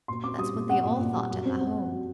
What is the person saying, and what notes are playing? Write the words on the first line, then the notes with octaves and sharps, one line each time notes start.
That's what they all thought at the Home.
A#2 C6
C4 D6
G3 D#6
A#2
C4 F#5
A#2
A#2
G3
F#2
C4
C4
F#3
F#3